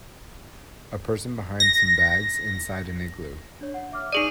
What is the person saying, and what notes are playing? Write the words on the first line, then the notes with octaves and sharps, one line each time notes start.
A person behind some bags inside an igloo.
A#6
D4 C#5
F#5
E5 D6 F6
D#4 G#4 D5 D#6 D#7 F#7